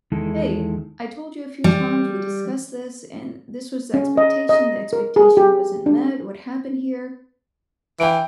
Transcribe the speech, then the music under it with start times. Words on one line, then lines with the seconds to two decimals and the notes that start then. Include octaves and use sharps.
"Hey, I told you a few times, we discussed this, and this was the expectation, the expectation wasn't met, what happened here?
0.12 E2 D#3 G#3 E4 A4
1.64 G3
3.94 C#4
4.17 D#5
4.49 D#5
4.93 A#4
5.16 G#4
5.37 G4
5.86 D4
8.00 E3 G5 D7